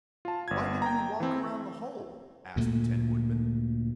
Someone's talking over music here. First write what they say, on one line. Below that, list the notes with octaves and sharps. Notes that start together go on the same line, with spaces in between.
"Why didn't you walk around the hole?" asked the Tin Woodman.
F4 A5
G1 G#6
G5 A#5
E3 C4
D2 A#2 A3